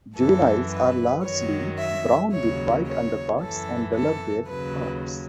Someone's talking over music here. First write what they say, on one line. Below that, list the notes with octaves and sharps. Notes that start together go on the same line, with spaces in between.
Juveniles are largely brown with white underparts and duller bare parts.
F#2 E3 A4
B4
F#2 D#3 F#3 C#5
E5
D#2 C#3 F#3 C#5
C#5
F#2 E3 A4
A4
D#2 C#3 F#3 B4